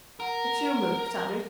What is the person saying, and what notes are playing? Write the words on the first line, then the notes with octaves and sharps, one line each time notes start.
It's your move, Saunders.
A#4 F#5 A#5